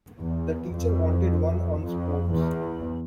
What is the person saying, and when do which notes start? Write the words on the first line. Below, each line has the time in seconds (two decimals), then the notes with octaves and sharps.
The teachers wanted one on sports.
0.19 E2
0.72 F2
1.80 F2
2.34 E2